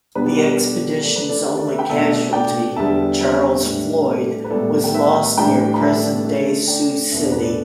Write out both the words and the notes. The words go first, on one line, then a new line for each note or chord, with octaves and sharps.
The expedition's only casualty, Charles Floyd, was lost near present-day Sioux City.
B2 G3 B3 D4 B4
D5
G4 B4
A4 D5
D3 A3 D4 D5
B4
A4 D5
G4 B4
A4 D5
B4 E5
G5 B5
B2 A3 D4 E5 A5
D5 G5
E2 D3 G3 B3 E5 A5
B4 E5
A2 G3 D4
E5
A4 D5
B4
A2 G3 B3 A4 D5
G5
B4 E5
A2 E3 G3 D4 G5 B5
B5
E5 A5
D3 A3 D4
D5 G5
E2 B2 B3 D4 E5
D5
B4
A4 D5